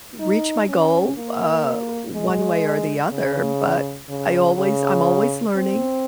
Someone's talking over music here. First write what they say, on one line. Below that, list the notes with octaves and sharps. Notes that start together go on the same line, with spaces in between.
reach my goal, uh, one way or the other, but I always I'm always learning,
D#4
C#4
A#3
G#3
C#3
C#3
C#3
C4